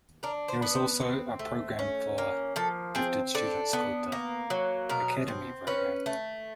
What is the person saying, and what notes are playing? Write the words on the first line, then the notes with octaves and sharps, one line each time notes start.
There is also a program for gifted students called the "Academy Program".
D4 A#4
C5
B3
C5
C4
A3
C#4
A#3
F3 A4
C4 G#4
D4 A4
B3
A#3
F#3
B2 A#4
C4
C#4 B4
A3